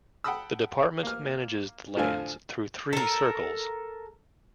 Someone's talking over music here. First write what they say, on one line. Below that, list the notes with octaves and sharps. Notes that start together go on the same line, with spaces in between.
The department manages the lands through three circles.
F#5 G5 A5 B5 D#6 E6
A#3 F6
A2 D3 F3 F4 G#5
A4 A#4